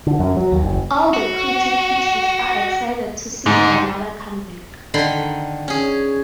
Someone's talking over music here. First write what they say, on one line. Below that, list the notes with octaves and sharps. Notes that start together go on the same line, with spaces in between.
All the pretty kitties are excited to see their mother come back.
D3
F#2
F#3
D#2
F#1
F#4
G#2 D3
D3 D#3 B5 C6
C#4 G#4